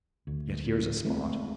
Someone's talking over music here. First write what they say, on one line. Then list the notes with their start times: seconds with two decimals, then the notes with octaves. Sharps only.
Yet here's a spot.
0.27 D2
1.05 G#3 A3 B3 C4